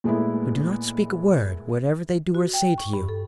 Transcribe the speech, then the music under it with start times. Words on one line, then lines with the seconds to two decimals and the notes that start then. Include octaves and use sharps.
But do not speak a word, whatever they do or say to you.
0.04 A#2 G#3 A3 B3 E4
2.35 F#4
2.54 G5
2.78 C#6
2.93 G2
3.09 A4